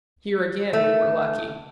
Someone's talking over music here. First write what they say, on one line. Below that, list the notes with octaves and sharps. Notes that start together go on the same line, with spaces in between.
Here, again, we were lucky.
A3